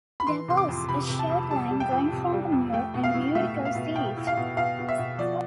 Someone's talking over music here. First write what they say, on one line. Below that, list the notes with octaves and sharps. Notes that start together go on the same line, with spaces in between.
There was a short line going from the mill and we'd go see it.
B5
E3 C6
C3 C6
D6
F2
C3 B5
C3
A5
F2
G3 A5
G3
G5
F2
C3
G3
F2
A3 G5
B2
F5
E4
A3 E5
B2
F5
B2
B2 G5
E4
F5
B2
B2 F5
B2
E5
B2
F3 D5